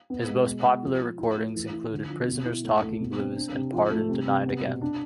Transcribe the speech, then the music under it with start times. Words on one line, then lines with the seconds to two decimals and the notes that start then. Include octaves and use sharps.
His most popular recordings included "Prisoner's Talking Blues" and "Pardon Denied Again".
0.10 B3
0.28 G#3
0.46 B2
0.65 B2
0.83 F3
1.01 F3
1.18 E4
1.37 A3
1.55 E3
1.73 E4
1.92 D3
2.10 F3
2.28 B2
2.45 E4
2.64 A3
2.81 A3
3.00 B2
3.18 C4
3.36 D4
3.54 C3
3.72 F3
3.91 A3
4.09 C3
4.27 C3
4.46 B3
4.63 B2
4.81 D4